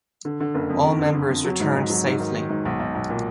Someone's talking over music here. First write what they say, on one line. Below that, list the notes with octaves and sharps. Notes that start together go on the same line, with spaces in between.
All members returned safely.
D3
D3
F#1
F2
D3
D3
D3
F2
F#3
G#2
G#2
F#3
G#2
D#3
D#3
G#2
B1
B1
B1
A#2